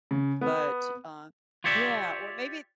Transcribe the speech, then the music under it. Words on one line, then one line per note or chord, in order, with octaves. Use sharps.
But, uh Yeah, or maybe
C#3
B3
F4 G4 C#5 D5 E5